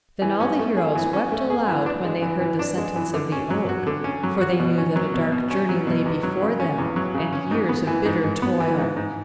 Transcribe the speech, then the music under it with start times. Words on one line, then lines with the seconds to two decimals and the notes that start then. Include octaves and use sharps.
Then all the heroes wept aloud when they heard the sentence of the oak; for they knew that a dark journey lay before them, and years of bitter toil.
0.22 E3
0.40 C#4
0.59 A3
0.77 G#4
0.95 E3
1.13 C#4
1.32 A3
1.50 G#4
1.68 E3
1.86 D4
2.04 G#3
2.22 E3
2.41 E3
2.59 D4
2.77 G#3
2.96 E3
3.14 D3
3.32 C#4
3.50 F#3
3.69 F#4
3.87 D3
4.04 C#4
4.23 F#3
4.41 F#4
4.59 B2
4.78 C#4
4.96 F#3
5.14 B2
5.32 B2
5.51 C#4
5.69 F#3
5.87 B2
6.05 E2
6.23 F#3
6.42 C#3
6.60 C#4
6.78 E2
6.96 F#3
7.14 C#3
7.33 C#4
7.51 G#2
7.69 B3
7.87 E3
8.05 G#2
8.24 G#2
8.42 B3
8.60 E3
8.78 G#2
8.96 G#2